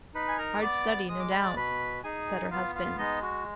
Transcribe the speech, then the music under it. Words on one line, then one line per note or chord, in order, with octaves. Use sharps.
"Hard study, no doubt," said her husband.
D#4 B4 B5
G#5
A#4 A#5
B3 D5 D6
G#3 D#6
D6
B5
D5 D6
B2 B4 B5
D#4 G#4 G#5
B3 F4 F5
F4 F5
G#3 D#4 D#5
F#4